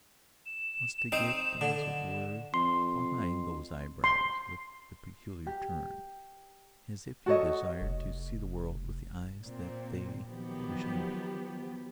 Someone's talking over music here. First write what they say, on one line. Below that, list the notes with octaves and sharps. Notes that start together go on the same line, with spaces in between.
He wants to get, as it were, behind those eyebrows with the peculiar turn, as if he desired to see the world with the eyes that they overshadow.
E7
C4 D#4 C5
D3
F2 C6
C6
G4
F#4 A4 C#5 D#5
F1
A#2 C4
D#3 F3 F#3 B3 G4